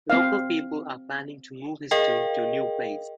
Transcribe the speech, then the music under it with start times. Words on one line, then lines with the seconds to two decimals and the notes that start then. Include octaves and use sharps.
Local people are planning to move his tomb to new place.
0.10 C4 F5
1.91 G#4 A#4 D#5 F5 G5